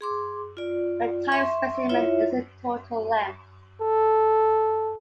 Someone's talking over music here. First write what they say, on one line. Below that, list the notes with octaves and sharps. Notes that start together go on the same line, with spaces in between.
The type specimen is in total length.
G#4 C6 D6
F4 D5
E5 C6 C#6
E4 F4 C#5 E5
A4